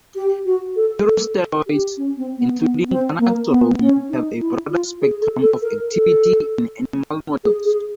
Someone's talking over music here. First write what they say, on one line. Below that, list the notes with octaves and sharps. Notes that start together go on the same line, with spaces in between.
Neurosteroids, including ganaxolone have a broad spectrum of activity in animal models.
G4
F#4
A4
A4
G4
C#4
C4
B3
B3
C4
A#3
B3
C#4
D#4
E4
F4
G#4
A4
A4
A#4
A4
G#4
G#4